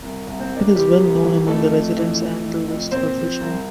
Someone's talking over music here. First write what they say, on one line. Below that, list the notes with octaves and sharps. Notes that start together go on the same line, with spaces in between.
It is well known among residents and tourists for fishing.
C2
C2
C4 C5
C2
D4 D5
C3 G3 G4
C2
E3
F2 A3 A4
F2
E3
F2
F2
F2
A#2 C4 C5
F3
C2